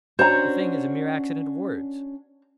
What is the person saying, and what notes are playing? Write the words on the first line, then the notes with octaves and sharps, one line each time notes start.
The thing is a mere accident of words.
C#4 D4 F#4 C5 A#5